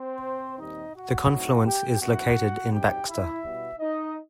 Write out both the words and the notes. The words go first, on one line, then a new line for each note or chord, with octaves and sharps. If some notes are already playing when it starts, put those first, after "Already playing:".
The confluence is located in Baxter.
Already playing: C4 C5
D#2 D#3 G3 C4 D#4 D#5
F#4 F#5
A2 F#3 C4 D#4
G4 G5
F#2 E3 B3 E4 F#4 F#5
F#2 F#3 C4 D#4 G4 G5
E4 E5
B2 G3 B3 E4
D#4 D#5